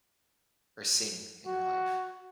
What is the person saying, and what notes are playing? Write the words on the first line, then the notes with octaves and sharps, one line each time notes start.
or sing in your life
F#4